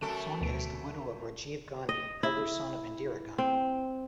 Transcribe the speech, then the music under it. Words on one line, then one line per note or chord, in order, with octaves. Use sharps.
Sonia is the widow of Rajiv Gandhi, elder son of Indira Gandhi.
F#2 A3 A4 D7
D2 B2 D7
D#5
E4
C4